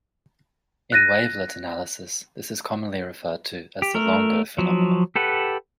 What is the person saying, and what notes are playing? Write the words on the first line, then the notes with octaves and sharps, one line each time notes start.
In wavelet analysis, this is commonly referred to as the Longo phenomenon.
F#6 A6 A#6 D#7
G4
A3 A#4
F3 F#3
G4 A4 B4 F#5